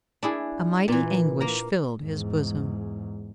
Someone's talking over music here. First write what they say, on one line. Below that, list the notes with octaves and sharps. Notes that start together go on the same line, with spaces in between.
A mighty anguish filled his bosom.
D4 E4 G#4
A#2 E3
A#3 A#5
E2 G#2